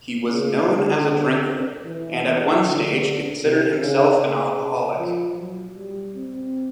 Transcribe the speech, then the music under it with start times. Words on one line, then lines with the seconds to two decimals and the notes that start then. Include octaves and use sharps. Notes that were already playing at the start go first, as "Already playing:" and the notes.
He was known as a drinker, and at one stage considered himself an alcoholic.
0.29 C#3
0.67 D3
1.84 E3
2.24 E3
2.63 D3
3.42 C3
3.80 C#3
4.20 C#3
4.98 F3
5.37 F#3
5.75 G3
6.16 C4